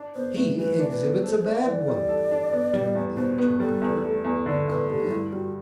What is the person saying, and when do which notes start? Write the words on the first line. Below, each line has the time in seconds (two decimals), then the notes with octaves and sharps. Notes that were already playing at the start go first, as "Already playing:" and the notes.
"He exhibits a bad one," returned the interpreter, calmly.
Already playing: D4
0.15 B3 C5
0.36 A2 B4
0.58 E3 B4
0.79 D4
0.91 B4
1.02 B3
1.23 A4 C5
1.39 C5
1.44 D4
1.55 E5
1.66 E3
1.71 D5
1.88 G3
2.09 A4
2.31 D4
2.52 B3
2.73 G3
2.95 E2
3.17 B2 C5
3.38 B3 B4
3.60 G3 A4
3.81 E2
4.04 A3
4.24 E2
4.46 D3 D5
4.68 E2 B4
4.89 A3 G4
5.11 G2 E4
5.32 G3 F#4